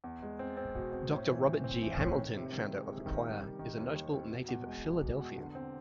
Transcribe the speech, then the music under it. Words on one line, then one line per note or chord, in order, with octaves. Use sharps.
Doctor Robert G. Hamilton, founder of the choir, is a notable native Philadelphian.
E2
G#3
C4
C4
B2
C4
A2
E3
A2
C4
E3
A2
D#3
C3
D#3
G#3
C3
D#3
G3
D#3
D#3
D#2
D#3
C4
B2
E2
G#3
B2
B2
E2
D3
C4